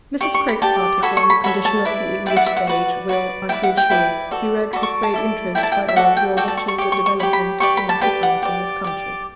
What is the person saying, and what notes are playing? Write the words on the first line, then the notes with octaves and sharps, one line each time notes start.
Mrs. Craik's article on the condition of the English stage will, I feel sure, be read with great interest by all who are watching the development of dramatic art in this country.
G4 D5 C#6
C#6
B5
G4 D5 A5
F#4 A4 C#5 B5
C#6
B5
F#4 A4 C#5 B5
A5
E4 B4 D5
E4 B4 D5 G5
F#5
E5
F#5
F#4 B4 D5
F#4 B4 D5
E4 B4 D5 G5
F#5
G5
E4 B4 D5
F#4 A4 D5
F#4 A4 D5 B5
C#6
A5
E4 A4 D5
E4 A4 D5 G5
A5
G5
E5
F#4 A4 D5 F#5
G5
F#4 A4 D5 G5
A5
C#6
C#6
G4 C#5 D6
C#6
C#6
G4 C#5 B5
B5
G4 B4 D5 C#6
B5
A5
G4 B4 D5 G5
F#5
G4 D5
G4 D5